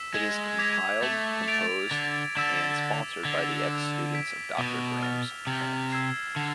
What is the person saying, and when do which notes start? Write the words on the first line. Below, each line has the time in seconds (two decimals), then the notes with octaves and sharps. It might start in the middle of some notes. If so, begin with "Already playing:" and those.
It is compiled, composed and sponsored by the ex-students of Doctor Graham's Homes.
Already playing: E6 B6 E7
0.14 G#3
0.58 D6 G#6 B6 F7
1.02 A3
1.48 A6 D7 F7
1.91 D3
2.37 D3 E6 B6 E7
3.25 D3 G#6 B6 F7
4.14 G#6 B6 D7
4.58 B2
5.03 F6 A6 D7 F7
5.47 C3
5.91 E6 G#6 C7 E7
6.36 D3